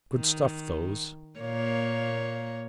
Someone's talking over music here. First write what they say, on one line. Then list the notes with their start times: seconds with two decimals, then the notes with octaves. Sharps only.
"Good stuff, those."
0.15 D#3
1.40 A#2 A#3 C#5